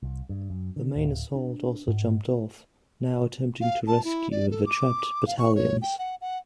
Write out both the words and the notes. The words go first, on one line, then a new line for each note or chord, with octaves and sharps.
The main assault also jumped off, now attempting to rescue the trapped battalions.
C2
G2
F#2
D3
D1
D4
G#2
F5
A5
E4
D5
A4
D6
F5
C#6
C#5
G5
F#5
F#5